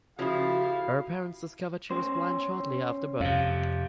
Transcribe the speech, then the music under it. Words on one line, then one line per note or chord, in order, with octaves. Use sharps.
Her parents discovered she was blind shortly after birth.
C#3 F3 E4 F#4 G4 A4 F5
C#4 C5
F2 C3 F5